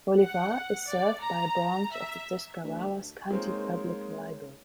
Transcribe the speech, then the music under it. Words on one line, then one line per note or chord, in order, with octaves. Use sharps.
Bolivar is served by a branch of the Tuscarawas County Public Library.
F#5
D5
A#5
E5
D2
G#3 A#3 C4 D#4 C5 C#5